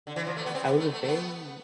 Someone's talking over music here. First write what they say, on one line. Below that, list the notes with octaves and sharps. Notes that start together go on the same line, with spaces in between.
I was a very,
D3
E3
F3
A3
B3
C4
B3
A3
A3
A3
B3